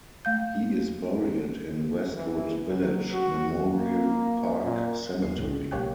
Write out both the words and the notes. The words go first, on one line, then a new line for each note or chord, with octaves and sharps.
He is buried in Westwood Village Memorial Park Cemetery.
A3 F5 G6
E3
F#3
F#4
A#3
A#2
E2 C7
C#2 A2
B1 A#3 G4 C#5 G5 F#6